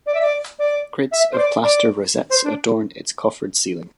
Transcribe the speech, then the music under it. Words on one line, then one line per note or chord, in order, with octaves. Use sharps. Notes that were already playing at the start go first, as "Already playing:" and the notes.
Grids of plaster rosettes adorn its coffered ceiling.
D5
E5
D5
D5
E5
C5
D5
D5
C5
D4